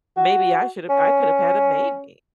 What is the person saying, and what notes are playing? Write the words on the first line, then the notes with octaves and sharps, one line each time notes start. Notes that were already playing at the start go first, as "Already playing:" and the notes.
maybe I should have I could have had a baby
F#4
C#4